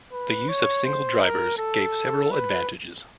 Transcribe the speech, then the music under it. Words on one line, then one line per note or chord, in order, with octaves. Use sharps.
The use of single drivers gave several advantages.
B4
C#5
C5
A#4
A4
B4